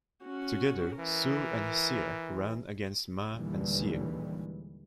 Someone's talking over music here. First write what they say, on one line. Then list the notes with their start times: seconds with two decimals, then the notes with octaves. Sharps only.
Together, Su and Hsieh ran against Ma and Siew.
0.24 C#4 F#4
0.99 E3 A#4
3.35 D#2 A#2 D3 E3 G3 G#3